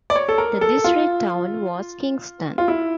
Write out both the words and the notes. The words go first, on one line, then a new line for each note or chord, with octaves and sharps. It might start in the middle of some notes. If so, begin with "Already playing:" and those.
The district town was Kingston.
D5
C#5
A4
A#4
A4
F4
F4
E4